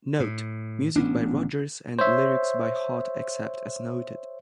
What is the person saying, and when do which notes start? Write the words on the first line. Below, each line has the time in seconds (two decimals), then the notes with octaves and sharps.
"Note:" music by Rodgers and lyrics by Hart except as noted.
0.20 A2
0.96 A1 B3 C#4 D4
1.99 C5 C#5 E5